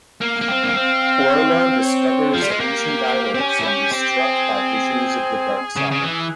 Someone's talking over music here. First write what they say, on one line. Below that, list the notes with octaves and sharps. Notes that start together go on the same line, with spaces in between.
Orla discovers ancient idols and is struck by visions of the dark side.
A#3 F5
A#3
C4
A#3
C4
C#5
C#5
F3 F4
G3
G#3
A#3 G4
C4
C#4
E4
C#4
C4
G#4
C#3
C#3
E3